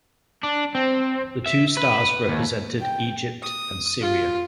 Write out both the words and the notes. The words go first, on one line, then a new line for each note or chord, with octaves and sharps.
The two stars represented Egypt and Syria.
D4
C4
E5
B4
D#2
G5
D#6
F4